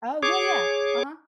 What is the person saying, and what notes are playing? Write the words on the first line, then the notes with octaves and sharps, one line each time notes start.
Oh, yeah, yeah. Uh-huh.
G#4 C#5 D6